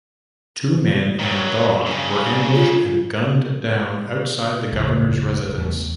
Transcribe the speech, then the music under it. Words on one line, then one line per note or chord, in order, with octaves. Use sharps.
The two men and dog were ambushed and gunned down outside the Governor's residence.
D#3 F#3
G2 C#3
F4
F#1 D#2 G#2
E2 A3